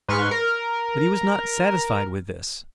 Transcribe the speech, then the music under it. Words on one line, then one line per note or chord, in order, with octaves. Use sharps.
But he was not satisfied with this.
G#2 B4 C6 C#6 F6
A#4